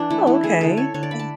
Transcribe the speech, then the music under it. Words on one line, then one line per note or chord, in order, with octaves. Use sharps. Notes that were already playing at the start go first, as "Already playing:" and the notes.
Oh, okay. Um
Already playing: E3 D4
A3 E4
E3 E4
A3 G#4
D3 A4
A3 C#5
D3 C#5
D5
A3 B5
A5